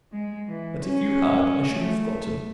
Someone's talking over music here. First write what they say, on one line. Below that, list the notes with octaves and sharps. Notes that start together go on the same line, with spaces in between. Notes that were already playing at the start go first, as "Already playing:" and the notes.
But if you had I should have forgotten.
G#3
E3
C#4
A3